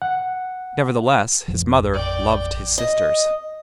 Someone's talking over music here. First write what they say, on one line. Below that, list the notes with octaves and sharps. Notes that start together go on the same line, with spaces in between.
Nevertheless, his mother loved his sisters.
F#5
A1 F2 F3
D5 G5
D#5